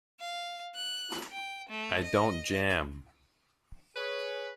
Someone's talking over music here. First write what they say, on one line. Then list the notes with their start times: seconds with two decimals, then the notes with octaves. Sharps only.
I don't jam.
0.20 F5
0.75 F#6
1.31 G5
1.69 A3
2.03 D#5
3.96 G#4 B4 C#5